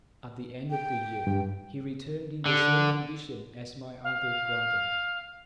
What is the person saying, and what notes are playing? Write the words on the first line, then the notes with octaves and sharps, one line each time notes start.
At the end of the year he returned in the same condition as my other brother.
G5
G2
D3
F5